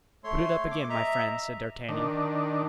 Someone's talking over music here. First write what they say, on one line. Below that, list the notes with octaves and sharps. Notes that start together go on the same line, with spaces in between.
"Put it up again, my friend," said D'Artagnan.
A3 C#5 C6
D6
D#5 E5 A#5
D#3 D4